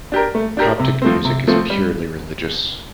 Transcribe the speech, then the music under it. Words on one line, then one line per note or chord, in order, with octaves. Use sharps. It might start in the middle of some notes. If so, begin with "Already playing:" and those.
Coptic music is purely religious.
D4 G4 A#4
A3
D4 G4 A#4
C3
F3 A3 C4
C3
F3 A3 C4
G3